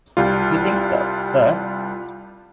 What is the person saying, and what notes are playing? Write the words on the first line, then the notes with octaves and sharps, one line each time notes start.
You think so, sir?
C2 G3 F4